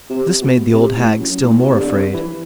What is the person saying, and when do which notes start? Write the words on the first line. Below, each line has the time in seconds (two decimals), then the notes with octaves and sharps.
This made the old hag still more afraid.
0.10 C3
0.42 B2
0.73 C3
0.96 A2
1.20 F#2
1.43 A2
1.59 B2
1.67 C3
1.79 D3
1.89 C3
2.14 E3